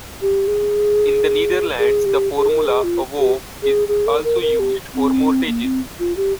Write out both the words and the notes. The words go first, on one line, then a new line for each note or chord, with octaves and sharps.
In the Netherlands the formula above is also used for mortgages.
G4
G#4
G#4
G4
G#4
A#4
G#4
F4
G4
G#4
G#4
A#4
A#4
A#4
G4
C4
A#3
C4
F4
G4